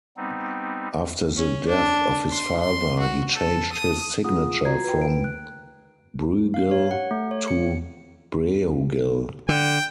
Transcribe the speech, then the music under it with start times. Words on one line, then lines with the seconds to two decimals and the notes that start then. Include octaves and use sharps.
After the death of his father he changed his signature from 'Brueghel' to 'Breughel'.
0.17 G3 B3 C4 D#4
1.36 C#4
1.68 D4
2.30 C6
2.60 C6
3.00 F#4
3.34 A4
3.73 D#6
4.24 F4 G#4 F#5 D#6
4.65 F4 F#4 A#5 G#6 C7
4.84 B4 G5
5.02 D7
5.24 F#6
6.54 F5
6.71 C#5
6.91 F#5
7.11 A3
7.31 C#5
7.48 C#7
9.49 D3 G5